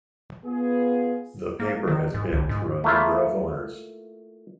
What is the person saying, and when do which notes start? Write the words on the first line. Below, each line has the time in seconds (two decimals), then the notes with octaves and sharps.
The paper has been through a number of owners.
0.45 B3 F4 G#4
1.60 A#3
1.87 D#3
2.14 G#2
2.32 C#2
2.49 G#2
2.84 A3 A#3 E4 F4